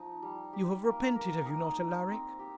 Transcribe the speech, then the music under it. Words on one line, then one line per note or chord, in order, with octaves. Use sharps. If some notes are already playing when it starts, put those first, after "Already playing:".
You have repented, have you not, Alaric?'
Already playing: F3 D#4
G3
G4
A#3
A#4
D#4
D#4
C4
G4